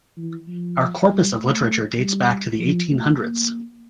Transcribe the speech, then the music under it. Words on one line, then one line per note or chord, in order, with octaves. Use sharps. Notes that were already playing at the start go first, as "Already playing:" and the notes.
Our corpus of literature dates back to the eighteen hundreds.
E3
F3
G3
A3
G3
F3
A3
A#3